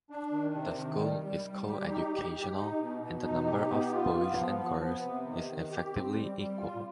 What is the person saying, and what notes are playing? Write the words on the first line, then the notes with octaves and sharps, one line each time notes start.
The school is co-educational and the number of boys and girls is effectively equal.
D4
D#3
C3
D#3
G3
G3
G3
G4
D#4
G4
G4
D#4
B2
B2
D#4
G4
B3
F4
B3
F3
B3
B3
C3
D#3
D#3
G4
C4
G3
G3
F4